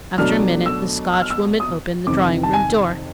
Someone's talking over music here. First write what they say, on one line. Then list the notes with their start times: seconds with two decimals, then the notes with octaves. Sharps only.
After a minute the Scotchwoman opened the drawing-room door.
0.18 B2 F#3 A3 D4 F6
0.66 E6
1.13 E6
1.22 F6
1.30 E6
1.60 D#6
2.07 F2 C3 D#3 D6
2.43 A5
2.53 G#5